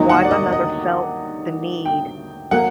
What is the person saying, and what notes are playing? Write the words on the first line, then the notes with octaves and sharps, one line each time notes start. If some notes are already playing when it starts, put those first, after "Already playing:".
why my mother felt the need
Already playing: D#2 D#3 F#3 A#3 D#5
F#5
D5
D#5
D#5
G5
F#3 A#3 F#5